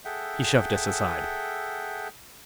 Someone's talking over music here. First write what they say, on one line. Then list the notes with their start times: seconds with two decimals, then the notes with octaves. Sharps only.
He shoved us aside.
0.05 G#4 A4 E5 F#5 G5